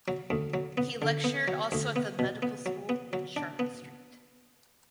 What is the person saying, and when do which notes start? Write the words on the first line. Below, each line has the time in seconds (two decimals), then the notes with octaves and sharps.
He lectured also at the medical school in Charlotte Street.
0.08 F#3
0.30 D2
0.54 F#3
0.77 B3
1.02 D3
1.24 B3
1.48 F#3
1.72 D2
1.96 B3
2.19 B2
2.42 B3
2.66 F#3
2.89 B3
3.13 F#3
3.36 D4
3.59 B3